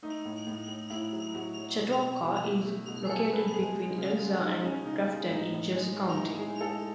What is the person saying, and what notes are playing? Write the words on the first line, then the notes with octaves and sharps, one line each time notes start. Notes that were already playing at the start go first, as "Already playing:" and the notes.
Chautauqua is located between Elsah and Grafton in Jersey County.
A3 D#4
A2
A2
A2
A2 E4
F#3
A2 F#4
F#3
B2
B2
B2
A3
A3
B2
G#4
B2 A4
B2 B4
G#3 G#4
G#3
C#3
G#3
G#3 D#4
G#3 C#4
C#3 D#4
G#3
A2 D#4
A2
G#3
G#3
D#4
G#3 E4
G#3 G#4
G#3 A4